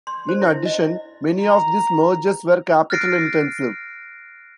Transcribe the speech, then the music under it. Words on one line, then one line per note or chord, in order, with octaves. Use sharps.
In addition, many of these mergers were capital-intensive.
C6
C5
E4
D#5
A#5
F6 F#6 A6 A#6 C7 D7